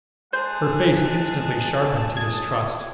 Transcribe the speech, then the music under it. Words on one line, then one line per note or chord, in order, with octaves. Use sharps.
Her face instantly sharpened to distrust.
G#3 G#4 C5 F#5 A5
D#6 G#6